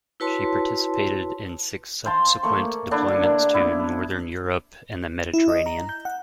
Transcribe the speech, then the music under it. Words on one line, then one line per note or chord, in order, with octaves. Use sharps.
She participated in six subsequent deployments to Northern Europe and the Mediterranean.
E4 F#4 B4 C#5 A5 C6
C5 F5 A5 C6
A3 A#3 C#6
D3 D4 E4
A#3
B3 E4
E4
D#5
A#5
G6
F#5